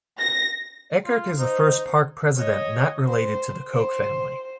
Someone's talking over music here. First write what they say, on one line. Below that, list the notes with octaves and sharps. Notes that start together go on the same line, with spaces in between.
Eckert is the first park President not related to the Koch family.
A#6
F4
D#4 C5
C#5 D#5
C5
C5